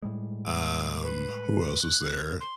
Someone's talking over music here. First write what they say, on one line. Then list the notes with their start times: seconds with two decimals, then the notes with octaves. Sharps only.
Um, who else was there?
0.02 A2 G3 G#3
1.04 B4
1.82 F#6
2.41 C6